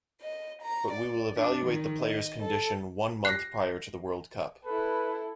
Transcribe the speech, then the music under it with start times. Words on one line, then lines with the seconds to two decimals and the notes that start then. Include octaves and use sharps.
But we will evaluate the player's condition one month prior to the World Cup.
0.21 D#5
0.62 A#5
0.92 D5
1.36 D4
1.65 D#3
1.99 D#5
2.42 A4
3.25 F#6 A#6 C7
4.65 E4 A4 B4